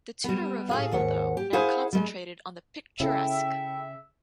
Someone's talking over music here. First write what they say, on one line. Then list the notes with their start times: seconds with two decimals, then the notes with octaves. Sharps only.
The Tudor revival, though, now concentrated on the picturesque.
0.24 G3 B3
0.69 A2 G#4 F5
0.92 D#2 G#2 F#5
1.37 G4
1.53 E4 G#4 C5 F5 F#5
1.93 G3 G#3
3.00 C#3 E4 A4 E5 G5